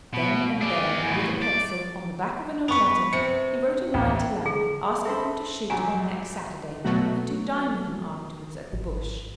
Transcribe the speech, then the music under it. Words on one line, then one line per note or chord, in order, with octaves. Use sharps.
Then and there, with a pencil, on the back of an old letter, he wrote a line to Larry asking him to shoot on next Saturday and to dine with him afterwards at the Bush.
B2
G#4 D5
E2 A2
D5
B3 B4 C#6 F7
C3 C#7
A1
G#4
A4 B4 C5 E5
A#1 F#2 G#5 A#5
B2 F#3 A3 F#4
G#1